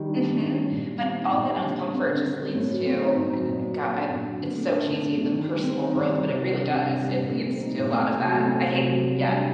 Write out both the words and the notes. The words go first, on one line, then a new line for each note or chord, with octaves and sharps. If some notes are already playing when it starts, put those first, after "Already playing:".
Mhm, but all that uncomfort just leads to and I g i it's so cheesy, the personal growth, but it really does, it leads to a lot of that. I hate yeah.
Already playing: D#3 G3
D4
D#3
D#3
G3
A#2
G3
C4
D#4
A#2
G3
D3
G3
C4
D3
D3
G3
A2
F#3
C4
D#4
A2
F#3
A#2
F#3
A#3
D4
A#2
F#3
D3
A3
D4
D3
D3
A3
D#3
G3
C4
D#4
D#3
G3
C3
G3
D4
C3
C3
G3
A#2
A3
C4
D#4
A#2
A3
C3
F#3
A3
C4
C3
F#3
C3
G3
D4